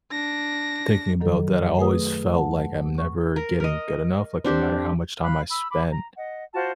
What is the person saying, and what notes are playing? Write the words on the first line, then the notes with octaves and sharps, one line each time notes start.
thinking about that I always felt like I'm never getting good enough, like, no matter how much time I spent
D4 A#6
F#2 D#3 F#3 A4
A3 G#4 B4 D#6
F#5 A5
C#6
A#4
A#4 D#5
C4 D4 G4 A4
F5 B5 F#6
B5 E6
B5 D6
A#5
D#5 F#5
F4 F#4 C5 A5